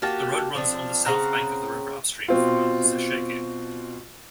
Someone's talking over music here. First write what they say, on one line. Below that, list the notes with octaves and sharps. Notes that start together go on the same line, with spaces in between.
The road runs on the south bank of the river upstream from Sesheke.
A#3 F#4 G4 A5
F3 C4 D4
C#3 C4 F#5 A#5
B2 C4 F4